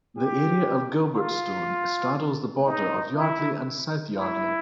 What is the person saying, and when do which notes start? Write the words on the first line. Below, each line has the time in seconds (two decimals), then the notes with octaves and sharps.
The area of Gilbertstone straddles the border of Yardley and South Yardley.
0.17 G4
1.16 F4
2.66 D#4
3.15 E4
4.16 E4